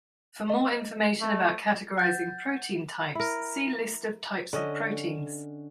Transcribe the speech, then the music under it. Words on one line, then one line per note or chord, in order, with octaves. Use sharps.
For more information about categorizing protein "types", see List of types of proteins.
D#5
A3
F#5 G6 A6
E4 A#4
D3 C#4 D#5